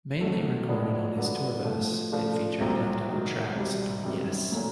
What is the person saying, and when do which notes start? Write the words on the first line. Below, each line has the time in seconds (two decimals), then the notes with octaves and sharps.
Mainly recorded on his tour bus, it featured leftover tracks from Yes!
0.21 C2 B2 F#3 A3
0.68 A2 F3 G#3 B3 D4
1.17 D3 F#3 B3 D4
1.64 A2 F3 A3
2.12 C#3 F3 A3 D4 F4
2.60 C2 A#2 F#3
3.08 G#2 D#3 F#3
3.56 C2 B2 G3
4.04 F#2 D#3 G3 C4
4.52 A#2 F#3 A3 C#4